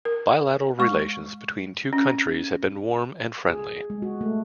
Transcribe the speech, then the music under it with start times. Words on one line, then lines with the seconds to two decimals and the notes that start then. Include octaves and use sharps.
Bilateral relations between two countries have been warm and friendly.
0.05 A#4
0.79 G#3 C#6
1.93 C#4
3.50 G#4
3.90 G#3
4.02 F#4
4.21 A3